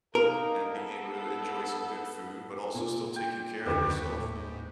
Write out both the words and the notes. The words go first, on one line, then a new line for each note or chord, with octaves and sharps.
and being able to enjoy some good food, but also still taking care of yourself,
A#3 D#4 A#4
B3 A4
A#2
G5
D#1 F2 D3 D#3 G4 B4 C#6 E7
A2
G#2